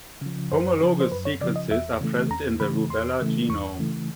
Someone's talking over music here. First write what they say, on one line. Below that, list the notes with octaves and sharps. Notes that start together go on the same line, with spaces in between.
Homologous sequences are present in the rubella genome.
C#3 F3
F#2 C5
C#3 F3
C5
F#2 B4
C#5
C#3 F3 D5
D#5
E2 E5
C#3 E3 A3
E2 A#5
C#3 E3 A3 B5
E2 C6
C#3 E3 A3
E2 C#6
C#3 E3 A3